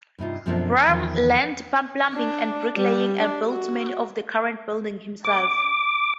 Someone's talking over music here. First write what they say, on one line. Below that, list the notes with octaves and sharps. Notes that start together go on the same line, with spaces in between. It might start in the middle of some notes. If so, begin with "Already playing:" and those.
Brahm learnt plumbing and bricklaying and built many of the current buildings himself.
G2 C3 D#4 F4
F#2 B2 F3 A3 C4 D4
E2 D#3 F3
D4
G3
D4
F#4
D6